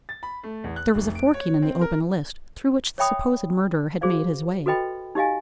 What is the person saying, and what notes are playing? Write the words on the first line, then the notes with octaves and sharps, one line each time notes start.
There was a forking in the open list, through which the supposed murderer had made his way.
A6
B5
A3
E2
F#6
F1
D7
C#5
C4
A#4
C#5 D5 E5 G5 B5 D#6
F#4 G#4 C5 D5 F5
F#4 A4 B4 D#5 G5 B5
D#4 G4 D#5 F5 G#5